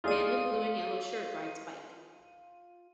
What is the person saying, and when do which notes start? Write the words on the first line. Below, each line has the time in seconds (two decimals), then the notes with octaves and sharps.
Man with blue and yellow shirt rides bike.
0.04 D#4 F4 G#4 D5 D#7